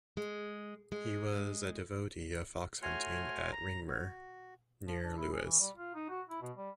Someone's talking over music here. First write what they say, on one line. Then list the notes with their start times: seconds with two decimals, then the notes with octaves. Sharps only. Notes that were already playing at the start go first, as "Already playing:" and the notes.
He was a devotee of fox hunting at Ringmer, near Lewes.
0.17 G#3
0.92 G#3
2.82 A3 F#4 C#5 G#5 C6 F6
3.52 A#5
3.87 F#4
4.87 F3
5.03 D4
5.17 E4
5.33 G#4
5.45 E3
5.59 G3
5.77 F4
5.95 D#4
6.09 F#4
6.29 E4
6.42 B2
6.57 G3